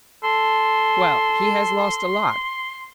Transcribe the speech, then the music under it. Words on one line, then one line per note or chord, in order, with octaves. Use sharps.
Well;--he has lost a lot.
A4 C6